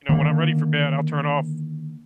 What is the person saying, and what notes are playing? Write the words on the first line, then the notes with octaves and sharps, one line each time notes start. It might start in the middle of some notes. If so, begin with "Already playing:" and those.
you know, when I'm ready for bed, I'll turn off
D3 D#3 A#3